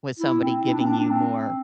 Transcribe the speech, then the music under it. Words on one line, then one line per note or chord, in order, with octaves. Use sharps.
with somebody giving you more,
E4
C4
E4
D4
C4
D4
D4
C4